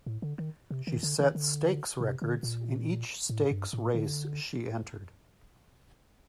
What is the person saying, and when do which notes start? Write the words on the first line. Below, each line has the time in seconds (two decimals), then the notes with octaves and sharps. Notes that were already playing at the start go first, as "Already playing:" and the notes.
She set stakes records in each stakes race she entered.
0.06 A2
0.22 D3
0.38 D#3
0.71 C3
0.87 D#3
1.03 D3
1.20 D#3
1.35 D3
2.00 C3
2.22 D3
2.43 A#2
3.29 A2
3.51 G2
3.73 A2
3.94 D3